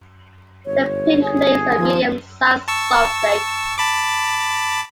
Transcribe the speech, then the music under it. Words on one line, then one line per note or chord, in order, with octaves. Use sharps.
The Pink Lakes are medium-sized salt lakes.
G1 C#5
G#4
D#2 F3
A5 C#6 E6
A5 B5 D6